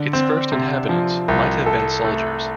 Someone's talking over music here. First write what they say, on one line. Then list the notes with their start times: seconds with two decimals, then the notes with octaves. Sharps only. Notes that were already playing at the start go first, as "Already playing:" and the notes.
Its first inhabitants might have been soldiers.
Already playing: D3
0.13 C4
0.52 C3
0.89 F3
1.28 C2
1.66 A4
2.04 A3